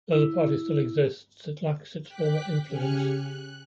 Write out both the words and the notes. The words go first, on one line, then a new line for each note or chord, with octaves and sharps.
Though the party still exists, it lacks its former influence.
E4
G5 D6 F#6 B6
C#3 G4 G#5 F6 F#6 C#7
F#6